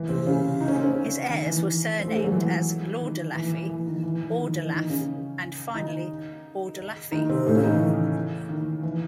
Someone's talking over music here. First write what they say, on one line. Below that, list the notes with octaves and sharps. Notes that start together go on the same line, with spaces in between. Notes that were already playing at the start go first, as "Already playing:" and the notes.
His heirs were surnamed as "Lordelaffi", "Ordelaf" and finally "Ordelaffi".
Already playing: E3
C3 C4
C#3 C#4
D#4
C#4
C4
C#3 C#4
D#3
E3
C4
A3
G#3
F#3
E3
D#3
E3
E3
E3
D#3
E3
E3
D#3
E3
D#3 D#4
C#3 C#4
D#3 D#4
D#3 D#4
C3 C4
A2 A3
C#3 C#4
D#3 D#4
E3
D#3
E3